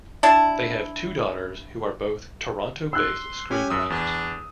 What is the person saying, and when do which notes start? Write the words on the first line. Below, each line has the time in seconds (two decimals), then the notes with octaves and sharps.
They have two daughters, who are both Toronto-based screenwriters.
0.23 D4 E4 A5
2.93 C6 E6 F#6
3.51 C#4 G4 G#5
3.70 F#2 E5 D#6
3.90 E2 D4